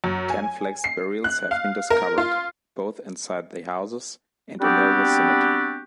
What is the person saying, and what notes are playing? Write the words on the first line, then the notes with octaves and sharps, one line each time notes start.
Ten flexed burials have been discovered, both inside the houses and in their vicinity.
F#2
G#5
C7
F#6
F5
A#4
F4
G3 B3 C4 D4 F#4 G4